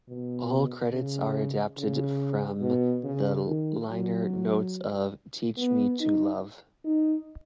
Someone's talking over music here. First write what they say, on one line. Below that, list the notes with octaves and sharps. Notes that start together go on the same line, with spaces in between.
All credits are adapted from the liner notes of "Teach Me to Love".
B2
C#3
C#3
B2
C#3
D#3
F#3
B3
D#4
D#4